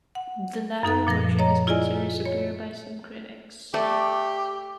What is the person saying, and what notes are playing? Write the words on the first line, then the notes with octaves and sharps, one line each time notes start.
The latter version is considered superior by some critics.
F#5
F#2 D#4 A4 A6
A#2 F3 B4 A#6
C#5 D#5 A#5
E4 F4 G#4 D5 D#5 G#5
C#5
A3 G4 D5